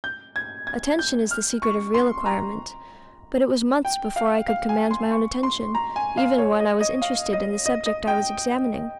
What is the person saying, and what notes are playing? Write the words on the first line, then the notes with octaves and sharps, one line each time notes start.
Attention is the secret of real acquirement; but it was months before I could command my own attention, even when I was interested in the subject I was examining.
G6
G#6
G#6
G6
F6
C#6
C6
A#5
G5
F5
F5
G#5
C6
C#6
C6
A#5
G#5
F5
C#5
D#5
D#5
F5
D#5
D#5
D#5
G5